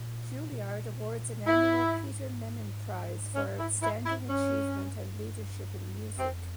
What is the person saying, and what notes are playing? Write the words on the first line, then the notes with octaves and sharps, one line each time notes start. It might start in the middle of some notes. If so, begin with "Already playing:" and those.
Juilliard awards an annual Peter Mennin prize, for Outstanding Achievement and Leadership in Music.
Already playing: A#2
A#2
G#2 E4
C#4
E4
E4
E4
G2 C#4
F2 C4